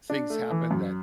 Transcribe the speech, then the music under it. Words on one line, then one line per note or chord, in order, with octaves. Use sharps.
things happen that
D4
A3
E3
F#2